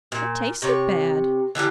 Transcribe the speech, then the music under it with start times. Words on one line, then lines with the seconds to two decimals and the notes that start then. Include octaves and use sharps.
It tasted bad.
0.12 A#2
0.62 C3 C#5
1.55 D3 E3 F3 G3